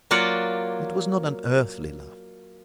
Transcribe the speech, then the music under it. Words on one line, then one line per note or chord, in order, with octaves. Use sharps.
It was not an earthly love.
F#3 A#3 F4 D5 F#5